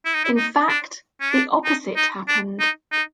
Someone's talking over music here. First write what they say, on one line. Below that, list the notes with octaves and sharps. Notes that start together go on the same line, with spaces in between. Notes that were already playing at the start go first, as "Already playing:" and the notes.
In fact, the opposite happened.
E4
D#4
E4
D#4
D4
C#4
D4
D#4
D#4
D4
D#4
D#4